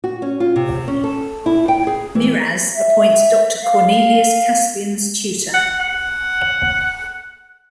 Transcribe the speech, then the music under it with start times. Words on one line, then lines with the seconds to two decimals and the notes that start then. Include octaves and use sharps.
Miraz appoints Doctor Cornelius Caspian's tutor.
0.04 F#4
0.22 C#4
0.40 F4
0.56 C3
0.88 C#4
1.04 A4
1.46 E4
1.68 G5
1.87 G#4
2.15 E3
2.76 E5
3.63 F5
5.54 F#5
5.80 F#5